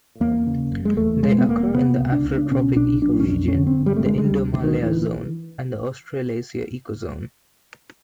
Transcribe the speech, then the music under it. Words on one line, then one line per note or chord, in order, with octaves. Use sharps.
They occur in the Afrotropic ecoregion, the Indomalaya zone, and the Australasia ecozone.
E2 A#3
C#3
F#1
G#3
E2 A3
B2 G#3
B3
E1 A#3
C3 B3
C#2
D4
C#2
D4
B2 C#4
B1 D4
B1 D4
C#4
F2 D4
C#4
D3
C4
G1
G3
A3
D3 G#3
G#3
G3
D2
D3
D2
D#3
E3